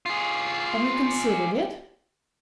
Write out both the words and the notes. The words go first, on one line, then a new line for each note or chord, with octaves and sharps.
Have you considered it?'
F4 G#4